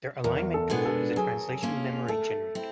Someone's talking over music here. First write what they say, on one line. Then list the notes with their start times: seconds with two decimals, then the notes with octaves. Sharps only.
Their Alignment Tool is a translation memory generator.
0.24 E2 A#4
0.54 A4
0.70 B2 G#3 B3 D4
0.85 A4
1.16 F#3 G#4
1.63 A#3 C#4 F4
2.08 A3 A4
2.55 C4 E4